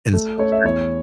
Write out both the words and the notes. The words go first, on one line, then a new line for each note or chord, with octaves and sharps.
and so he
A3
A3 C#5
E5
E2 C#5